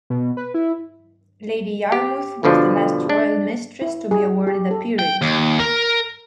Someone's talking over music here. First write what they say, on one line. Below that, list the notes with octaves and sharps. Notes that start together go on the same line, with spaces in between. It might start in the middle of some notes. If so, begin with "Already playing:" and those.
Lady Yarmouth was the last Royal mistress to be awarded a peerage.
B2
B4
E4
G4
G1 B2 D3 F3 D4
D4
E4
G#4
G4
A4
G5
D#2
A#4